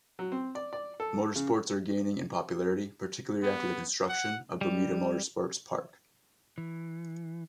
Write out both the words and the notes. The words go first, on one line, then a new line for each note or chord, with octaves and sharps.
Motorsports are gaining in popularity, particularly after the construction of Bermuda Motorsports Park.
F#3
C4
D5
D5
A4
C#3
B3
F#5
G3
E3